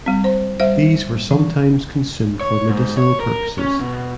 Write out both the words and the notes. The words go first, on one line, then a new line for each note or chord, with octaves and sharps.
These were sometimes consumed for medicinal purposes.
G3 C4
C5
G3 C5 E5
E3
C#5
G#2
C#5
A#4
C#4
B2